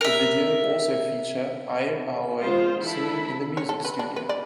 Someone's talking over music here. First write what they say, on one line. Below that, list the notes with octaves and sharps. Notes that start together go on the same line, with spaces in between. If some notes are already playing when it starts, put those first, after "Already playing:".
The video also feature Eir Aoi singing in the music studio.
A#4 E5
G#3 F4 C5
E3 E4 A4 B5
C#5
A4
B4
D4
B4
D5